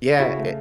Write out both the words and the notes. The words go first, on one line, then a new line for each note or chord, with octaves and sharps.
Yeah, a
C#3 E4 F#4
A3